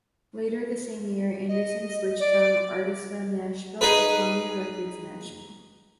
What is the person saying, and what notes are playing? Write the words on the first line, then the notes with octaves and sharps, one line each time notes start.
Later the same year, Anderson switched from Arista Nashville to Columbia Records Nashville.
D#5
D5
D#4 G#4 B4